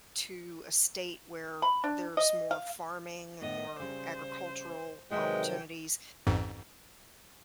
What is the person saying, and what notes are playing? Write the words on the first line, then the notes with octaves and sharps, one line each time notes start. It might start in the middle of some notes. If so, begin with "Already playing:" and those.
to a state where there's more farming and more agricultural opportunities
B5
D4
D#5
F5
A2 B3 D#5
C#3 G3 C5
C3 D#3 F#3 G#3 G#4 B4 E5 G5
A1 F2 G#2